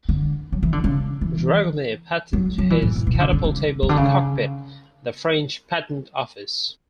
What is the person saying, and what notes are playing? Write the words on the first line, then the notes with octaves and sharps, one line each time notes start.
Dragomir patented his "catapult-able cockpit" at the French Patent Office.
D3
F#3
E3
D3
C#3
E3
F#3
F#3
E3
G#2
A2
B2
E3
D3
D3
C#3
C#3
D3
C#3